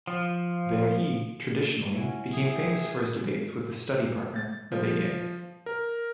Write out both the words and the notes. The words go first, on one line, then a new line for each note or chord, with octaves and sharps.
There he, traditionally, became famous for his debates with his study-partner Abaye.
F3
C#4 E4 F#4
G#4 E5
A6
F3
A#4